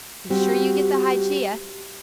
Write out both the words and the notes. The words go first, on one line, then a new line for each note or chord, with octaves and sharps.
Be sure you get the Hygeia.
G3 C4 F#4 G4